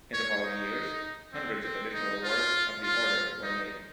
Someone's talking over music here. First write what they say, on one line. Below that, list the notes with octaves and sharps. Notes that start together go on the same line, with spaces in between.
In the following years hundreds of additional awards of the Order were made.
C#5
D#4
C4
C4
D#4
F4
F4
D#4